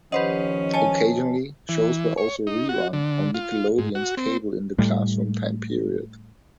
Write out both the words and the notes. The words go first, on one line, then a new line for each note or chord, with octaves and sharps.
Occasionally, shows were also rerun on Nickelodeon's Cable in the Classroom time period.
D#3 F3 C#4 G4 B4 C5 D#5 F#5
C#5 D#5 G#5 A5
E3
C#5
D#4
F#4
D3
F4
G#2
F#4
C4
A2 G3 A3